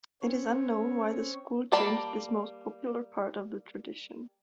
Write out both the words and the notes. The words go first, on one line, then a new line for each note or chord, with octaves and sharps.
It is unknown why the school changed this most popular part of the tradition.
C4 C#4 C#5
G3 A#3 D5 A5 B5